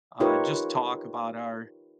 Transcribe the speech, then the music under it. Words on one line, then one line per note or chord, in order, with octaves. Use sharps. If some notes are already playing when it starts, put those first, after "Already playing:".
uh, just talk about our
D#4 F4 G4 A#4 B4 C#5